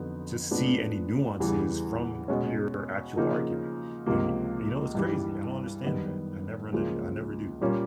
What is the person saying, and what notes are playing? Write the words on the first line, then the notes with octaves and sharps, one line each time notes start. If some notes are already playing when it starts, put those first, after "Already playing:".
to see any nuances from your actual argument. And, yo you know, it's crazy, I don't understand that. I never under d I never do,
Already playing: F2 D3 F#3 B3 D#4
A2 F3 G#3 B3 D4
E2 C#3 E3 G3
B2 G#3 C#4
C#3 F3 A#3 D#4
C#2 C3 F3 A#3
G2 E3 G3
F#2 D#3 G3 B3
C#2 C#3 F3 A#3
A#2 G3 A#3 C#4 F4